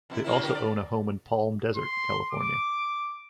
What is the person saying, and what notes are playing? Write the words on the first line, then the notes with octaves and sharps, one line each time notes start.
They also own a home in Palm Desert, California.
F2 C4 E4
F#2 A#3 E4
D3 G4 A#4
D5
C6
D6